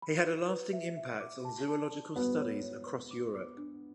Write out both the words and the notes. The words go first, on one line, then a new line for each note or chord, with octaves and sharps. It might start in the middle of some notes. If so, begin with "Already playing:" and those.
He had a lasting impact on zoological studies across Europe.
B5
B4
B4
E5
E5
D6
A5
A5
D5
B3 F#4
C#5
C#5
B4
D6
D6
D4